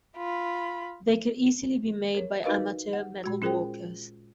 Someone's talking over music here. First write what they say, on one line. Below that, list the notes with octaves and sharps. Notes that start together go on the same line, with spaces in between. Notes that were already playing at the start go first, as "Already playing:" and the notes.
They could easily be made by amateur metalworkers.
F4 B5
A#4 C#5
D#4 F#4 A#4 B4 D#5 F5
F#5
A#2 G#3 F#4
C#4 F4 G#4 A#4 C5 G5